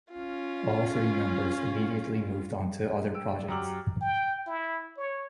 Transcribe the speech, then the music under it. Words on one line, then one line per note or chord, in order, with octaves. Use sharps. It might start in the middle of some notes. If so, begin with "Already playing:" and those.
All three members immediately moved on to other projects.
C#4 F4
G5 E6 D7
D5
F#2 G4 A#5 D6 E6 F#7
G5
E4
C#5